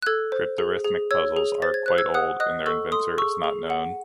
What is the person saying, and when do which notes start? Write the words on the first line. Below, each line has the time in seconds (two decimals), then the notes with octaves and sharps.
Cryptarithmic puzzles are quite old and their inventor is not known.
0.02 F#6
0.06 A4 E6 G#6
0.32 C5
0.58 G#4
0.84 G#4
1.11 C#5 E6 G#6
1.36 G#4
1.62 C5 A6
1.74 G#6
1.86 C5 F#6
1.98 E6 G#6
2.14 F#5 D#6 F#6
2.40 D#5 D#6 F#6
2.66 A4 C#6 E6
2.92 A4 C6 D#6
3.18 G#4 C#6 E6
3.44 G#4
3.70 F#5